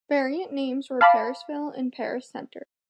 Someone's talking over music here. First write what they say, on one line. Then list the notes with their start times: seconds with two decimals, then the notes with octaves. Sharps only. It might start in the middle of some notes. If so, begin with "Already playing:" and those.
Variant names were Parisville and Paris Center.
1.01 F5 A5 B5 D6